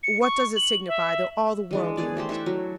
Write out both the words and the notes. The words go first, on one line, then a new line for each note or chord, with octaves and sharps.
"What does it signify though all the world knew it?"
C#7
C#6
F#7
E5
E3 G#3 D4
B3 G#4 D5
A3 G4 C5
E4 A4 B4 E5
F#3